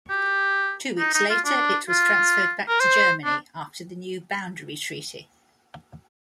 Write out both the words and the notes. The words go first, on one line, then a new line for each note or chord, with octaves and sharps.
Two weeks later, it was transferred back to Germany after the new Boundary Treaty.
G4
D#4
D#4
F4
D4
F4
A#4
C5
D4